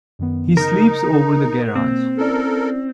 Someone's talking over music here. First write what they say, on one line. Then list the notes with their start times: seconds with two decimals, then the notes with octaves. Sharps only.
He sleeps over the garage.
0.19 F#2 D#3 B3
0.57 C#3 D#4 A#4
1.75 B2 A#3 C4
2.18 C#4 E4 A4 A#4 D5